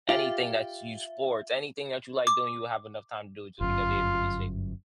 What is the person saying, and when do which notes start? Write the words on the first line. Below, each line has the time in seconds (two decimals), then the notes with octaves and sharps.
anything that's you sports, anything that you like doing, you will have enough time to do it just because you're able to be stable.
0.09 F4 G4 E5
2.27 D6
3.61 G1 F#2 F4